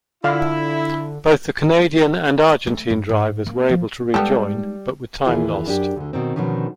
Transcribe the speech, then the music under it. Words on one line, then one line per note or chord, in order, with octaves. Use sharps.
Both the Canadian and Argentine drivers were able to rejoin, but with time lost.
D3 E4 F4 F5
A3
G2
G#2
A#3
F3
G3 G#3 B3 D#4 G4 A4
D#2 E3 E4 F4 G#4
F#2 D4 G4
D2 D3
B2 D#3 C4
B2 D3 D#3 F3 C#4